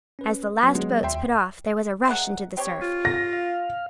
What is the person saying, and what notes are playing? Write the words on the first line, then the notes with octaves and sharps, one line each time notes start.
As the last boats put off there was a rush into the surf.
C#4 B4
F#3 B3
G#3
D#2 E5 G5 C6
G#3 A#4 F#5
C4 G4 C#5
F4
A#6
F5